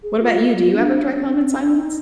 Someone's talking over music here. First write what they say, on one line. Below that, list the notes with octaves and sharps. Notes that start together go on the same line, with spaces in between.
What about you? Do you ever drive home in silence?
G#4
F4
F4
D4
C4
D4
D#4